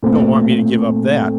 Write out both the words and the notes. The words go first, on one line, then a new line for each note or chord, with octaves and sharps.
You don't want me to give up that?
A#2 A3 C4